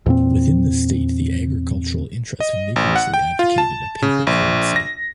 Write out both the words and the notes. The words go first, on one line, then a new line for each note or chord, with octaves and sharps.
Within the state the agricultural interests vigorously advocated a paper currency.
E2 A#2 C4
D#5
A1
F#5
G5
F4
A5
C#3
A#1
A#6